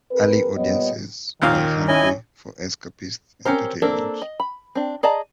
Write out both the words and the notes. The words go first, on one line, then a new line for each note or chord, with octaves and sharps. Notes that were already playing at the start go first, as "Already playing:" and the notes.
Early audiences were hungry for escapist entertainment.
C4 G#4 A#4 B4
A#2 G3 B3 C#5 D#5
D#2 A#2 D#3 F5
C#4 E4 D#5 G#5
C4 C#4 G4 A#4 C5
A#3 C4 D4 A4 A#4
D#5
B5
C4 D4
G#4 D5 D#5 A5 A#5